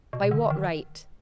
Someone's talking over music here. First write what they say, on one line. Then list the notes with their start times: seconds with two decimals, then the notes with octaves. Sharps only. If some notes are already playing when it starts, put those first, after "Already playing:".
By what right?
0.13 B2
0.31 D3
0.50 D#3